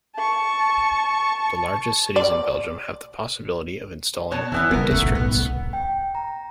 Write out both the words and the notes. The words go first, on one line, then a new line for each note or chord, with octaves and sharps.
The largest cities in Belgium have the possibility of installing urban districts.
A5 C#6
D5
B2 C#5 A5
F#2 E3 B3 E4
C#3 G3 B3 A#4
C#2 A3 E4
B1 B3
G#2 B2 B3
G5
A#5